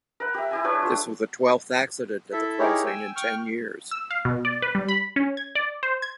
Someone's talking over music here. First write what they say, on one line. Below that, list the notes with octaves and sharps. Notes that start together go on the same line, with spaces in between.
This was the twelfth accident at the crossing in ten years.
A#4 B4 F#5
G4 E5
E4 G4 G#5
D4 G4 B4 C#5
F4 A4
E4 A4 E5
D#4 E4 G4 G#4 A#4 C#5
G5 G#5 E6
G5 C#6 F6
E6
F5
B2
D5
B4
G3
B5
C#4
G#6
D5
C5
G#6